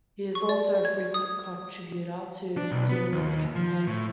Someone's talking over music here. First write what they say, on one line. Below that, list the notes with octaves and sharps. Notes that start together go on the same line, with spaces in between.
He is also a frequent contributor to "Dooney's Cafe".
C#6
D5
G#6
D#6
D4
B1
B3
D#2
F3
A2